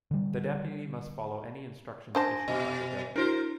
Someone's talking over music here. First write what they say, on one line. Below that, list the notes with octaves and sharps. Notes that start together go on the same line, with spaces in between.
The Deputy must follow any instructions issued by the Governor.
D3 G3
D4 C5 G#5 A5 A#6
B2 D#5
D4 E4 F#4 A#4 C5